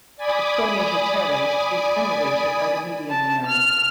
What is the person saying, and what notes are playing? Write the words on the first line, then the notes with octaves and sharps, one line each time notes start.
The pronator teres is innervated by the median nerve.
D5 G#5 B5 D6 D#6
A5
F6